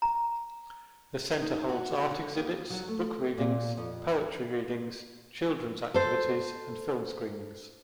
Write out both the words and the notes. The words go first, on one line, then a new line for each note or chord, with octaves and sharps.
The centre holds art exhibits, book readings, poetry readings, children's activities and film screenings.
A#5
D#4
F#4
D3
D#2
F#3
A3
A#2
F2
A4 C5